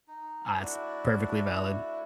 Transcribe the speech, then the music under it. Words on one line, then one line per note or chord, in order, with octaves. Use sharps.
Ah, that's perfectly valid.
D#4
A3 D4 E4 F#4